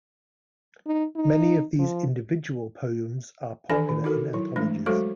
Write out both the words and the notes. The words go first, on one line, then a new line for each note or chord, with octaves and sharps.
Many of these individual poems are popular in anthologies.
D#4
D#4
F3
D#3 E3 D4 A4 D5 G#5
D#3
D#4 F#4 A4 A#4
F#3 E4
E3 G#3 A3 D4
F#3 G#3 F#4 A4 C5 F5